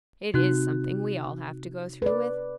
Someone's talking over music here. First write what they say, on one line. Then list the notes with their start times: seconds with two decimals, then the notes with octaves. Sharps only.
It is something we all have to go through with.
0.34 C3 D#4 F#4 F#6
2.02 B4 D5